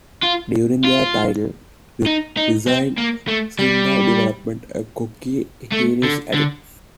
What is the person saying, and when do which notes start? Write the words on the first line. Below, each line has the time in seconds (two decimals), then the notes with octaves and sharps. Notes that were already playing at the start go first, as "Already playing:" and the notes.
During their title reign, Sydal developed a cocky, heelish attitude.
0.23 F4
0.84 F4
2.06 D#4
2.37 D#4
2.68 C4
2.98 A#3
3.28 A3
3.59 G3
5.72 A3
6.04 D3
6.34 D3